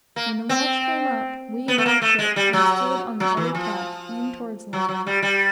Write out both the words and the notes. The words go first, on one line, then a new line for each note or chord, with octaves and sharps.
When the watch came up, we wore ship, and stood on the other tack, in towards land.
A#3
C4
B3
A3
A#3
A3
G#3
G3
F#3
F#3
E3
F3
F#3
F#3
G3
G3